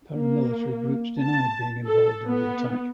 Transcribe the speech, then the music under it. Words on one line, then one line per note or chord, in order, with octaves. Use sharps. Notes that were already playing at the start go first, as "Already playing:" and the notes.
Paramilitary groups denied being involved in the attack.
A#3
A5
A4
B3